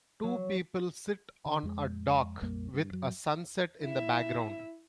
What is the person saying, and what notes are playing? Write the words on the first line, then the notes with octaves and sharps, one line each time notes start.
Two people sit on a dock with a sunset in the background.
F#3
D3
F2 G#3
A#1 F2 G3 A#3
G2
F#2 F#3
E4 E5